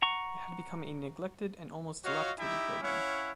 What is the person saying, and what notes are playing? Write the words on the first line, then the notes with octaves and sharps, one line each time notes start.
It had become a neglected and almost dilapidated building.
F#5 A#5 C#6
F4 F#4 C#5 D#5 F5
D#4 E4 G4 E5 G5
C#4 E4 C#5 F5 F#5